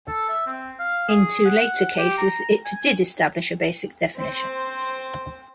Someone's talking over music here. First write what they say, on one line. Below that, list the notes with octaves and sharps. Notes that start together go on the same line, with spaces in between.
In two later cases, it did establish a basic definition.
A4
E5
C4
F5
G#4
F#5
G4
A#5
G#5
C4 C5